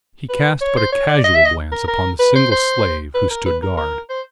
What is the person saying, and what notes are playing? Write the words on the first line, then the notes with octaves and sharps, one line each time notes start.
He cast but a casual glance upon the single slave who stood guard.
B4
C#5
C5
C#5
D5
D#5
E5
D#5
A#4
A#4
B4
C5
C5
B4
A#4
B4
A#4
A#4
C5